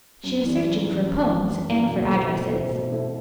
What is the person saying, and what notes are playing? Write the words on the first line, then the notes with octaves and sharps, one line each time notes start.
She was searching for poems and for addresses.
F#2
E3 G3
F#2
E3 G3
F#2
E3 G3
F#2
E3 G3
B2
A3 C4 E4
B2
A3 C4 E4
B2
A3 C4 E4